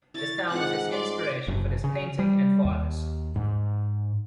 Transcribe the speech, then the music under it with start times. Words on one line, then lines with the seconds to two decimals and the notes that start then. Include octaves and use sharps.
This town was his inspiration for this painting and for others.
0.14 E4 C#5 A6
0.50 G#2 C4 F4 F#5 F#6
0.90 D5 C6 D6
1.48 F#1
1.84 C#3
2.19 G3
2.65 D#2
3.36 G#2